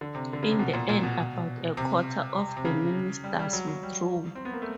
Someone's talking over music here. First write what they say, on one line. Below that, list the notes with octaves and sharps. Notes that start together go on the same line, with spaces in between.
In the end, about a quarter of the ministers withdrew.
D3
C3
D3
C#3
C3
B2
A#2
A#2
B2
C3
C3
C#3
G3
G3
F#3
F#3
G3
C4
B3
A#3
A3